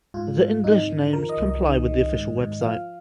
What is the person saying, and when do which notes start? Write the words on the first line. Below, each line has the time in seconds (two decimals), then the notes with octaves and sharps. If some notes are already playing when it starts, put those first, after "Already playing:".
The English names comply with the official website.
0.14 G#2 F4
0.39 G#2
0.63 F2 D#4
0.89 D#3
1.13 F3 A#4
1.29 D#5
1.37 C2
1.46 D#5
1.62 D#3
1.88 D#3
2.12 G#2
2.37 G#2
2.61 F3 F5